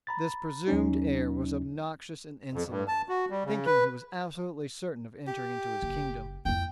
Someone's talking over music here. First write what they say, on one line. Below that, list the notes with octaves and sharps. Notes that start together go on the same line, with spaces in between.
This presumed heir was obnoxious and insolent, thinking he was absolutely certain of entering into his kingdom.
A#5 B5 A6
D#2 F#3 C#4 D#4
F2
G2
A5
F#4
G3
C#3
B4
G4
F#1
F2 E4 G5